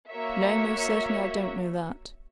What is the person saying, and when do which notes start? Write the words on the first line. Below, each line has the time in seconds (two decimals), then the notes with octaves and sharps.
"No, most certainly I don't know that."
0.10 A#3 F#4 A#4 C#5 E5